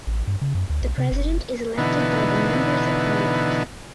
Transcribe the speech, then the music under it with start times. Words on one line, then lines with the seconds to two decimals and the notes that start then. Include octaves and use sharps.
The President is elected by the Members of Parliament.
0.07 A1
0.27 G2
0.42 C#3
0.55 F#2
0.70 D2
0.82 B1
0.98 C3
1.11 F#1
1.78 B2 D3 E3 B3 D#4